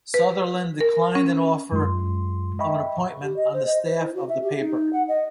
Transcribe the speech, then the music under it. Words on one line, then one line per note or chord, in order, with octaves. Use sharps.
Sutherland declined an offer of an appointment on the staff of the paper.
B4
A#4
C#4
F#2 G#3 F4 C6
D#5 E5 G5 B5 C#6
G4
D#5
C5
D#5
C5
E4
F#4
E5
G4
D#4
F#5
D#5